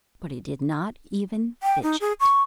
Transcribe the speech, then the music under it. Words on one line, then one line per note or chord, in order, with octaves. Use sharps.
But he did not even fidget.
G5
D#4
G#4
C#6